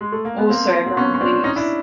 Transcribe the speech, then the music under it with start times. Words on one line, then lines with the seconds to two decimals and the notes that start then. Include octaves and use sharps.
Or so everyone believes.
0.01 G#3
0.12 A3
0.25 A#3
0.38 B3
0.50 A#3 C4
0.86 C4
0.96 B3 C#4
1.14 C#4
1.21 C4 D4
1.44 C#4 D#4
1.56 D4 E4